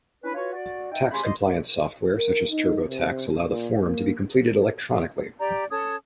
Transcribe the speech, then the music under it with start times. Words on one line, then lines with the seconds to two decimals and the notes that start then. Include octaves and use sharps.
Tax compliance software such as TurboTax allow the form to be completed electronically.
0.23 C#4 D4 E4 B4
0.35 F4 F#4 B4 C#5
0.53 F#4 D5
0.92 D#4 E5 F#5 G5
1.11 C#3 G4 G#5 B5 C6
1.23 D#4 D5 D#5 C6
2.18 A#4
2.51 D#4
2.87 C3
3.47 A#2
3.80 A#3
5.39 G4 D5 A#5 G6
5.71 C#4 A4 D#6 G#6